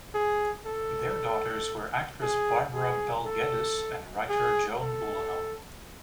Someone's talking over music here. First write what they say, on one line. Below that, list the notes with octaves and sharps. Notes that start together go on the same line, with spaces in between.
Their daughters were actress Barbara Bel Geddes and writer Joan Ulanov.
G#4
A4
G#4
G#4
A4
G#4
A4